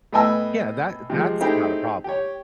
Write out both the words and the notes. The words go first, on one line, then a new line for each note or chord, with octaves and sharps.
Yeah, that that's not a problem.
A2 B3 D#5 G5 G#5 E6
C3 F3 G#3
A3 C4 D#4 E4 G4 G#4
G4 C#5